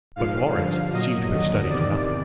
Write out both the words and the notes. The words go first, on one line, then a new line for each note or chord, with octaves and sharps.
But Florence seemed to have studied nothing.
G#2 F3 F5
G2 D3 F3
A#2 F#3 D#5
D#2 D3 F#3
E2 C3 D#3 D5